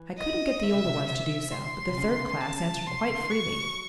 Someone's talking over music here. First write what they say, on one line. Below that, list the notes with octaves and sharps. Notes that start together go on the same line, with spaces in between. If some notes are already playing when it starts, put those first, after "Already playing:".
I couldn't get the older ones to do so, but the third class answered quite freely.
Already playing: E3
D#5
D#3 E5
C#3
C3
C#3
C3 E5
C6
C3
C#3
D#3
C#3
D#3
C#3 A5
C3 C6
C#3
D#3
F#3 C#6